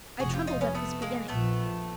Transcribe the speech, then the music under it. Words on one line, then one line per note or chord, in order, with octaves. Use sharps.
I trembled at this beginning.
F1 F2 C3 F#4 G#4
F4 G4
D#4 F4
B3 C#4
A3 B3
G#3 A#3
A#1 A#2 F3 A3 B3